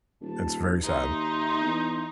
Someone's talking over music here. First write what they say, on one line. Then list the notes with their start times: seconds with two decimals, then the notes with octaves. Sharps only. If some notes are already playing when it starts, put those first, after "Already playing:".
It's very sad.
0.21 D#1 A5
0.83 D#2 D#4 E5 C6
1.61 E2